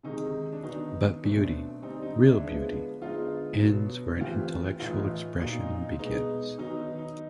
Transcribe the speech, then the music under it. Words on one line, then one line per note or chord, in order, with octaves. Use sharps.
But beauty, real beauty, ends where an intellectual expression begins.
C3 D#3 G#3 D#4
D4
D#3 F#3 B3 D#4
B2 F#3 A3 C4 D4
D3 G3 C4 D#4
D#4
D4 E4
D3 F3 G#3 B3
D3 F3 G#3 B3 D#4 F4
B2 F#3 B3
E3 A3 C4 F4 G4
A2 E3 A3 D#4 F4
A#2 F#3 A#3 D#4
D#4
B2 G#3 B3 D#4
D#3 F#3 B3 D#4
D#4